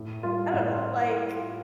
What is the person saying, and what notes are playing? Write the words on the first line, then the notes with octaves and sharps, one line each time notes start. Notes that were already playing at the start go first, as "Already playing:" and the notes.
I don't know, like,
Already playing: A2
G3 F4
A2